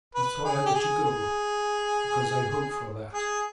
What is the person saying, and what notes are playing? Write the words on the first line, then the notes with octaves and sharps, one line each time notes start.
That's why I let you go, because I hope for that.
B4
G#4
G4
G#4
G#4
G#4